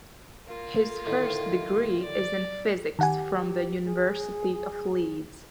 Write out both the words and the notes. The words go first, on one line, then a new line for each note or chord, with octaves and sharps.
His first degree is in Physics from the University of Leeds.
A#3 F4
A2 D3 D#3
D5
D#3 G4 F#5 G#5
G#4